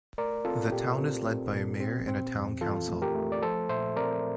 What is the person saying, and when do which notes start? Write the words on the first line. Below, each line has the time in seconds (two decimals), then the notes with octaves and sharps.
The town is led by a mayor and a town council.
0.18 A3 A#4 D5
0.45 C4 F4 A4
0.72 A#2 G4
0.99 C4
1.26 C4
1.53 A#2
1.80 C4
2.08 C4
2.34 F2
2.61 E3 F4 A4
2.88 A3
3.02 G4 A#4
3.15 A3
3.32 D5
3.43 F3 A4 C5
3.69 A#2 C5 E5
3.96 C4 A#4 D5